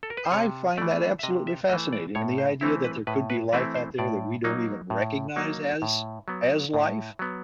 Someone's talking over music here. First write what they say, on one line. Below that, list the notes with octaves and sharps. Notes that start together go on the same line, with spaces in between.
I find that absolutely fascinating, and the idea that there could be life out there that we don't even recognize as as life.
A4
A#4
B4
C5
C3 C#5
E3 A3 D5
E5
C3 D#5
E5
E3 A3 D#5
D5
A2 C#5
C5
E3 A3 C4 E4
B4
A2 B4
B4
E3 A3 C4 E4 B4
C5
A2 D5
F#3 A#3 D#4
A2
F#3 A#3 D#4
A2
F#3 B3
A2
F#3 B3